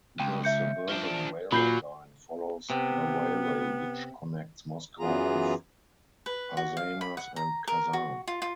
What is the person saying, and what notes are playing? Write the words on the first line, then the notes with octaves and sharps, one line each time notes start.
The suburban railway line follows the railway which connects Moscow with Arzamas and Kazan.
C#2 G5
E5 G6 C#7
F3 D4
A#2 F#3 B5 G6 C7
C3 B3
F#2 E3 B3 F4 G#4 A#5
B4
F#4
F5
B5
F#5
A#5
A#4
F#4
F4
F4